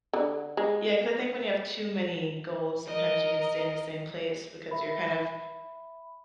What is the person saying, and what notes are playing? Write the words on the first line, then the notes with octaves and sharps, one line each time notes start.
Yeah, 'cause I think when you have too many goals, sometimes you can stay in the same place because you're kind of
D3
G#3
A#4 D#5
E5 B5